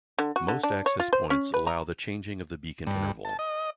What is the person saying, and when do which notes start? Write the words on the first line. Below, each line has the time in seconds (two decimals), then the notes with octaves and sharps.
Most access points allow the changing of the beacon interval.
0.19 D3
0.36 F#4
0.48 D3
0.63 D4
0.86 C#5
1.00 F4
1.13 C5
1.30 C#4
1.54 B4
1.67 A#5
2.87 G2
3.25 A5
3.39 D#5